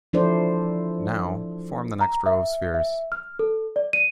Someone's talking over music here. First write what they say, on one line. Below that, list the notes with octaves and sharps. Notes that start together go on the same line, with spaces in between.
Now, form the next row of spheres.
F3 D4 E4 A4 C5 D5
A#5
E5
E5
F6
A4
D5
D#7